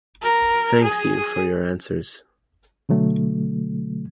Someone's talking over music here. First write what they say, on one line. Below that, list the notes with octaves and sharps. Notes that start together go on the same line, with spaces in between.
Thanks you for your answers.
A#4
G#4
B2 D3 F#3 A3